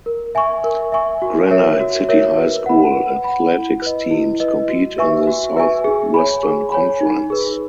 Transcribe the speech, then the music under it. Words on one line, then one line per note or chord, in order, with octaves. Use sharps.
Granite City High School athletics teams compete in the Southwestern Conference.
A#4
E5 G#5 C#6
A#4
E5 G#5 C#6
F#4
A#4 C#5 E5
F#4
A#4 C#5 E5
B4
F#5 B5
B4
F#5 B5
E4
B4 D#5
E4
B4 D#5
F#4
B4 E5 G#5 C#6
F#4
B4 E5 G#5 C#6
G#4
C#5 G#5 B5
G#4
C#5 G#5 B5
D#4
G#4 B4